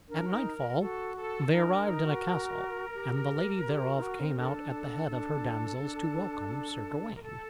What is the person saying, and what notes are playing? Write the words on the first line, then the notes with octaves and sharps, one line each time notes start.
At nightfall they arrived at a castle and the lady thereof came out at the head of her damsels to welcome Sir Gawain.
D4 A#4
F#4
D#4
F#4 A4
A4
D#4 A#4
D4
D#4
F#4
G4
G4
F#4
D#4
F#4
C4
D4 A4
D4
D4
A#4
A4